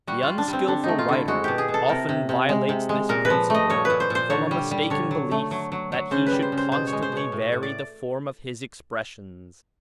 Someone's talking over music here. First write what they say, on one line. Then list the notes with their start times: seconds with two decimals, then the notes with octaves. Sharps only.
The unskillful writer often violates this principle, from a mistaken belief that he should constantly vary the form of his expressions.
0.07 G3 F#4
0.23 G3 F4
0.38 D4
0.48 G3 C4
0.68 D3 D4
0.84 A3 D#4
0.99 F4
1.09 D3 E4
1.28 G#3 F#4
1.44 B2 G4
1.58 G#4
1.68 B2
1.74 A4
1.89 C3 A#4
2.09 C3
2.29 C3
2.49 G#3
2.69 C3
2.89 G#3
3.09 A#2 A#4
3.25 B4
3.30 F3
3.50 A3 D#5
3.70 A#2 C#5
3.85 B4
3.90 A#2
4.00 C5
4.10 A#2 C5
4.30 D3 C#5
4.51 G3
4.71 G3
4.90 D3 C#5
5.11 F#3
5.31 A3
5.51 F#3
5.72 F#3
5.92 F#3
6.11 C#3 C5
6.26 B4
6.32 G3
6.42 C5
6.52 C#3
6.57 C5
6.72 B2 C5
6.87 C#5
6.92 G#3
7.02 C5
7.12 B2 C#5
7.32 A2
7.52 A2
7.63 D5